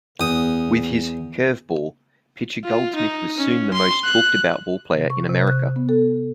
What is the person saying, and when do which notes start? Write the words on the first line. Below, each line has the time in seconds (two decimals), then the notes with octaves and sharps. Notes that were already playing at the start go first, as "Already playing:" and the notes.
With his "curve ball", pitcher Goldsmith was soon the most talked-about ballplayer in America!
0.20 E2 D#6
2.64 F4
2.95 D#4
3.38 C#4
3.73 C6
4.05 F#6
4.93 C3
5.10 C#6
5.29 C3
5.47 F#6
5.76 B3
5.89 A4